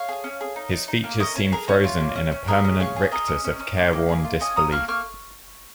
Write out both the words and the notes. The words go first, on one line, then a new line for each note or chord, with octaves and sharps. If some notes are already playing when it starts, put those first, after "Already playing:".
His features seem frozen in a permanent rictus of careworn disbelief.
Already playing: C#5 F5
G#4
C#4
G#4
D#4
D#4
D#4
A#3
C#4 A#4 D#5
C#4 C#5
G#4 A#4
C#4 C#5
F4
A#3
C#4
C#4
G#4 A#4 D#5
C#4
G#4 C#5 F5
G#4
G#4 A#4 D#5
C#4
C#4
C#4
A#3
A#3
G#4
F4
C#4 D#5 G#5
C#4 A#5 D#6
A#3 C#6 F6
A#3 C#6 F6